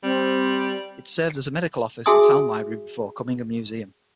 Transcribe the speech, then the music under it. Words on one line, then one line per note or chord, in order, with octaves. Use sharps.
It served as a medical office and town library before becoming a museum.
G3 C4
F#4 G#4 E5 G#5 C6 D#6